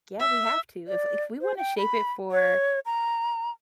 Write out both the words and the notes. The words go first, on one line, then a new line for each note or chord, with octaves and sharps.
Yeah, we have to. If if we wanna shape it for,
E5
D5
C5
G5
B5
C#5
A#5